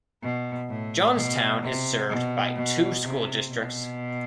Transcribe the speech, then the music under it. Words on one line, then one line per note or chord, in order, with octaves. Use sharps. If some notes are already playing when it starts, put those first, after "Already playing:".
Johnstown is served by two school districts.
B2
A2
B2
C3
B2
B2
C3
B2